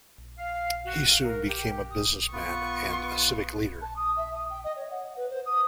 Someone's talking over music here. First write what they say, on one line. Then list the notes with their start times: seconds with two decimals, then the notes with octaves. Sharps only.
He soon became a businessman and a civic leader.
0.36 F5
0.86 F#4
1.08 F5
1.23 A#4
1.47 G4
1.90 D#6
2.33 B3 F4 B4 C#6
3.81 A5
3.96 D#6
4.16 E5
4.33 D#6
4.50 G5
4.64 D#5
4.76 C#5
4.91 F#5
5.16 B4
5.29 C5
5.45 D#6